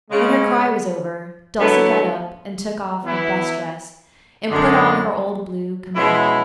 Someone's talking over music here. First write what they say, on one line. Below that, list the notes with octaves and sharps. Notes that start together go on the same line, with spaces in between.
When her cry was over Dulcie got up and took off her best dress, and put on her old blue kimono.
C#3 G#3 C#4
D3 F#3 B3 E4
E3 B3 E4
F#2 D3 G#3
B2 G#3 C#4 E4